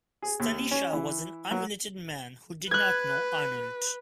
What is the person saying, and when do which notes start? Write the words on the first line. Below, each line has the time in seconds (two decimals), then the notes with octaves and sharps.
Stanisha was an unrelated man who did not know Arnold.
0.22 G#4
0.40 D#2
0.71 C#4
0.93 E3
1.51 F#3
2.71 B4 F#6 G#6